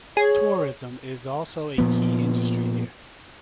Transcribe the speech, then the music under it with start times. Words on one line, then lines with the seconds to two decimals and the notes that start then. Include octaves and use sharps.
Tourism is also a key industry here.
0.17 G#4 C#5
1.78 A#2 F3 B3